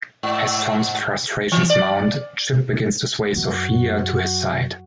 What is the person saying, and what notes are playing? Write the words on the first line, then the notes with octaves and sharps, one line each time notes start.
As Tom's frustrations mount, Chip begins to sway Sofia to his side.
G#2
E3
D5
F#2 F#4